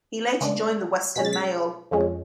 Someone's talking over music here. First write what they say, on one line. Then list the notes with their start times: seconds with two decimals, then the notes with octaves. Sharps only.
He later joined the "Western Mail".
0.41 C#3 G#3 D4
1.16 B2 G#3 C#4 B6
1.25 A6
1.33 B6
1.91 F2 F3 G#3 C#4